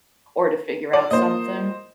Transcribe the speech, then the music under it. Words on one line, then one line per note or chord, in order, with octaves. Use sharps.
or to figure out something,
D5
A#3 F4 C5 D#5